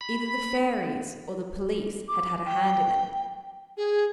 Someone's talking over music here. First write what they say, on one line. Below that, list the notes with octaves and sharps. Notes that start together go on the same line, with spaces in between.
Either the fairies or the police had had a hand in it.
B5
D6
G5
G#4